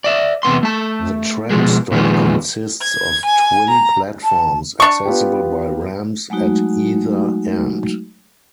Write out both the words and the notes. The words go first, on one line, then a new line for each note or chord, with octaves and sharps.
The tram stop consists of twin platforms accessible by ramps at either end.
D5 E5
E2 C3 B3 C6
A3 A5
B2 D3 F3 G#3
A#2 D#3 F3 G#3 B3
G#6
G#5
A#5
A5
D4 C#6
B3 F4 G4
F#3 G#3 A3 D#4 F#4